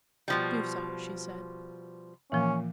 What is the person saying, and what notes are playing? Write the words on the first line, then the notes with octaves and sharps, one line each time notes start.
"Do so," she said.
B2 F3 G3
A#2 E3 F3 C#4